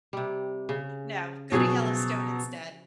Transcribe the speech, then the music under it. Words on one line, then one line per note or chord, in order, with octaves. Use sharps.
No, go to Yellowstone instead.
C3 G3
C#3
B2 F3 F#3 F#4 G#4